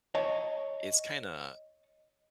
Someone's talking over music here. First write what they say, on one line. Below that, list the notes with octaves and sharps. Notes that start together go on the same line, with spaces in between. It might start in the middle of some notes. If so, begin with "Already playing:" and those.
it's kinda
C#5 D#5 A5